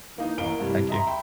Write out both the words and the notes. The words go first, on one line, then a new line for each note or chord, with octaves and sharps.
Thank you.
E3 A#3 D#4
A1 A2 A#3 A#4 D7 G7
G2 C3 E3
D#5 E5 A#5 C6
E5 G5 B5